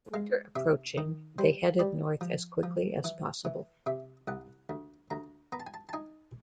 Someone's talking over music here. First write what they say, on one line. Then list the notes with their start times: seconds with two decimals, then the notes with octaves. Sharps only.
With winter approaching, they headed north as quickly as possible.
0.14 G#3 F5
0.56 C3 E5
0.98 D#3
1.39 G3 C5
1.79 G3 D5
2.21 F3
2.63 F3
3.04 E3
3.45 E3
3.86 C3 E5
4.28 C2 F#5
4.69 D2
5.10 D2 A#5
5.52 B3 A#5
5.60 A5
5.67 G#5
5.74 A5
5.89 A5
5.93 D#4 G#5